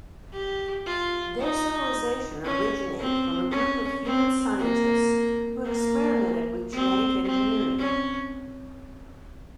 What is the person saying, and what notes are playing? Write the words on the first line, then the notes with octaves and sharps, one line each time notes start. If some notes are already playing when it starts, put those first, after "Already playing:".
Their civilization originated from a group of human scientists who experimented with genetic engineering.
G4
F4
D#4
C#4
C4
C#4
C4
A#3
A#3
C4
C4
C#4